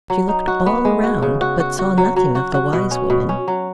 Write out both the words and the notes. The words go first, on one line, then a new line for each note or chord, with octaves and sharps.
She looked all around, but saw nothing of the wise woman.
F#3
D#4
F#4
B3
G#3
F#4
C#3
F#4
F#4
F#4
F#3
F#3
F#4
F#4
B2
C#4
B2
C#4
F#3